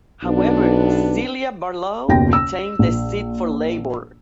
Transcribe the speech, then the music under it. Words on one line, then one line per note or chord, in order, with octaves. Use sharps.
However, Celia Barlow retained the seat for Labour.
B1 C3 B3 D4
F#1 D#2 B2 G5 A#6
E6
A#1